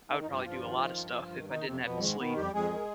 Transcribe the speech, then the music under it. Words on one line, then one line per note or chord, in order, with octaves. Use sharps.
I would probably do a lot of stuff if I didn't have to sleep.
D#3 D#4
D#4
G2 F3 F4
G4
G2 F3 F4
D#3
D#3
G2
G2
D#3
D#3 D#4
F2 C3 C4
F2 B2 B3
G3
G#2 D#3 G#3
B2 D#3 B3
F2 G3 G4
F2 G#3 G#4
D#3